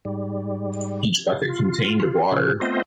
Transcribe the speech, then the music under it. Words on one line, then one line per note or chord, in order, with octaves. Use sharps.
Each bucket contained of water.
G#2 G3
F4
A#2 C#3 F3 C#4
A3 B3 C4 F4 C5 D#5